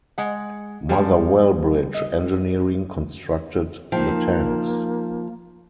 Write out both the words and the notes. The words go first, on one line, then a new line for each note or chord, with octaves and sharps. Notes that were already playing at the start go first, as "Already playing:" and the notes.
Motherwell Bridge Engineering constructed the tanks.
G#3 F#5
F3 G3 G#3
D#5
F3 A#3 D#4 G5